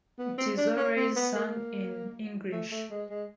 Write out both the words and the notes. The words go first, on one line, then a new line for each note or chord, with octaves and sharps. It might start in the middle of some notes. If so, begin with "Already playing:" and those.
It is always sung in English.
B3
C4
D4
C#4
C4
B3
A#3
A3
A3
G#3
G#3